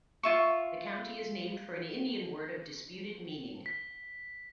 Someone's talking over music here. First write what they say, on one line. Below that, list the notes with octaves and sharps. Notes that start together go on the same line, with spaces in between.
The county is named for an Indian word of disputed meaning.
F4 E5 C#6
B6